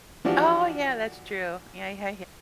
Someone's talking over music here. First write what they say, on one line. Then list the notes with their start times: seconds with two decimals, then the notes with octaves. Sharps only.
Oh, yeah, that's true. Yeah, yeah,
0.25 E3 F3 D4 F#4 G4